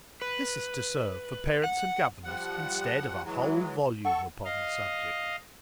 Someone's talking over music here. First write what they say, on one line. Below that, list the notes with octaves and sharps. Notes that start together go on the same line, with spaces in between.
This is to serve for parents and governors instead of a whole volume upon the subject.
B4
F#5
F3 G3 F#5
E3 F#3 G#3
A4 F#5 C#6
D#5 F5